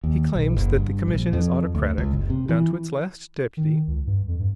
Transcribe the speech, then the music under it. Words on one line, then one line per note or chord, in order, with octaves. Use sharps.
He claims that the commission is autocratic, down to its last deputy.
D#2
B1
F#1
G2
A#1
F2
D2
C#2
F#1
C3
E3
D#3
C#2
G2
F2
G2